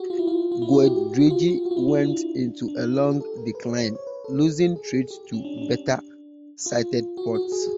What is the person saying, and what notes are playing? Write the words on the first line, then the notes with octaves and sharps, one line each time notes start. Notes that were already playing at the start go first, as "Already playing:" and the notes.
Goederede went into a long decline, losing trade to better-sited ports.
Already playing: F#4 G4
F4
E4
F4
F4
E4
F#4
G4
G4
F#4
F4
F4
F#4
F4
E4
D4
D4
D4
D#4
F4
G4
A4
A#4
B4
C#5
C5
C#5
C#5
B4
A4
G#4
G4
C#4
D4
C#4
D4
F4
F#4
F#4
G#4